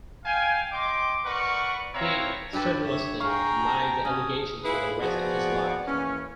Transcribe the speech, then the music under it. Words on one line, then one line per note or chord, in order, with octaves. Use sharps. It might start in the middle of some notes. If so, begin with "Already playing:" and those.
He strenuously denied the allegations for the rest of his life.
F5 G5 G#5
D#5 G5 C6 D6
A#4 B4 D5 F#5 C#6
B3 C4 E4 C#5 F5 A#5
G2 G4 A4 B4
C#5 E5
G#4 F5 G5 A#5 C#6
A5
C#4 D#6
E4 F4 G#4 B4
F3 B3 F#4 G#4 D5
E3 A#3 C#4